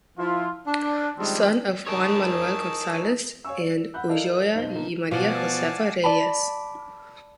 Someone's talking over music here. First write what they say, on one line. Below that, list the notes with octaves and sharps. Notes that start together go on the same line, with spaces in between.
Son of Juan Manuel González and Ulloa y María Josefa Reyes.
F3 E4 F4
D4
D#3 F3 G3 G#3 C4 D4
D#4 G#4 A#4 C#5 A5 E6
C#5 F5 G#5 C#6 E6
D5
F#5 B5 F#6 G6
A4 A#4 D5 D#5 F5 A5
B1 C5 D#5 G7
D3 F3 A#3 B3 D#4
B2 F3 D5 F5 F#5 G#5 A5
D5 A5 B5